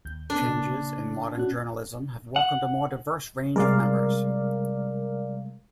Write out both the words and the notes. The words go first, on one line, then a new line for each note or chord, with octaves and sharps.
Changes in modern journalism have welcomed a more diverse range of members.
D#2 G6
B3 D4 A4
A#2 C#3 A#3
C#4 F#4 F#6
F#5
C3 G3 G#3 A#4 D5 F5